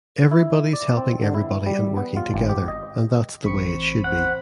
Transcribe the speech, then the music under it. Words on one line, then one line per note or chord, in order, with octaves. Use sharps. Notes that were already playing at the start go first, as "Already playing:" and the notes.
Everybody’s helping everybody and working together, and that’s the way it should be.
E4
D5
C4
D3
E4
G3
B3
F4
G#1
G4
D#5
A1 C4 B5 C#6 C#7
C5 F#5